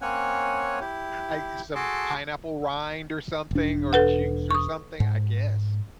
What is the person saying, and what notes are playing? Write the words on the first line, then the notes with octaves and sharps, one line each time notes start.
I some pineapple rind, or something, or juice, or something, I guess.
A#3 C4 C#4 C#5 F#5 G#5
E4 G4
F#4 G#4 A4 A5 C6 D6
E1 D4
A4 B4 F#5
C#6 D#6
G#2